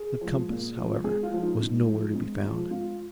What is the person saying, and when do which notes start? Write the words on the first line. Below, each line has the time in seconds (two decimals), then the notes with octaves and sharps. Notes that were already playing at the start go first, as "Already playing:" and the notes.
The compass, however, was nowhere to be found.
Already playing: G#4
0.21 F3 G#3
0.50 A#2
0.77 F3 G#3
1.04 G#2 G#4
1.23 F4
1.32 F3 G#3
1.42 D#4
1.60 G#2
1.88 F3 G#3
2.15 G#2
2.43 F3 G#3
2.71 G#2 F4